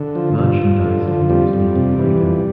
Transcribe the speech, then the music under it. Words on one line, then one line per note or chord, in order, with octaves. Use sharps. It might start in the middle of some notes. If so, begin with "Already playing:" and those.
Merchandising is not freedom.
Already playing: D3
F3
G2 F3
G2
D3
F3
F2 G3
F2
C3
E3
F2